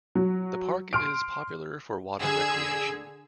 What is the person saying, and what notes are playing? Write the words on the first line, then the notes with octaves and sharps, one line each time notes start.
The park is popular for water recreation.
F#3
C6 F6 D7
D3 G#4 E6 G#6